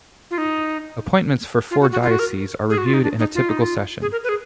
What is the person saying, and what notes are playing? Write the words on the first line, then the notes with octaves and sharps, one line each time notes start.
Appointments for four dioceses are reviewed in a typical session.
F4
D#4
F4
F#4
F#4
F4
F#4
A#4
G#4
F#4
F4
D#4
D4
D#4
F4
D#4
F4
G#4
A#4
B4
G#4